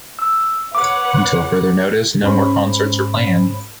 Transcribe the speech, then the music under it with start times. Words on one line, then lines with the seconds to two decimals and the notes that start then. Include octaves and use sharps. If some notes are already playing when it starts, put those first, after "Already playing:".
Until further notice, no more concerts are planned.
0.19 E6
0.75 B4 C#5 F#5 D6
2.23 G#2 C#4 C5 B5